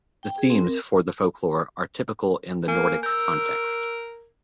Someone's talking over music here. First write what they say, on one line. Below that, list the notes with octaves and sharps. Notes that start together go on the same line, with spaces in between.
The themes for the folklore are typical in the Nordic context.
G5
G#4
C4
A#4
A#3 G#5
A#4 E6 G6